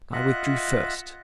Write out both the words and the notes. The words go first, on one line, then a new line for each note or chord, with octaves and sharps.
I withdrew first.
F4 D#5 E5 F#5 F#6